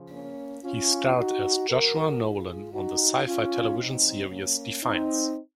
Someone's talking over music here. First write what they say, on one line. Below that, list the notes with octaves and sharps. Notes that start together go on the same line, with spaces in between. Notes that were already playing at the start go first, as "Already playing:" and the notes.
He starred as Joshua Nolan on the Syfy television series "Defiance".
Already playing: C#3 F3
A#3 C#4
C#4 F4
D#4 F#4
C3 F#3 F#4 A#4
F4 G#4
D#4 F#4
C#4 F4
C3 F#3 C4 D#4
A#3 C#4
C4 D#4